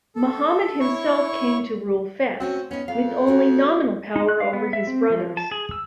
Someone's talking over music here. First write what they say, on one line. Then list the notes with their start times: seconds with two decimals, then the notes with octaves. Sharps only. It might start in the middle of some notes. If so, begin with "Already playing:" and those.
Muhammad himself came to rule Fes, with only nominal power over his brothers.
0.15 A4
0.80 E4 C#5 C#6
2.40 A3 C4 C#4 F#4
2.71 B3 C#4 D#4
2.88 F2 F5
3.27 A3 F#4 A#4
4.16 D#4
4.29 F#6
4.40 F5
4.53 B3
4.73 E5
4.87 C4
5.10 F3
5.37 A5
5.51 G#4
5.71 E6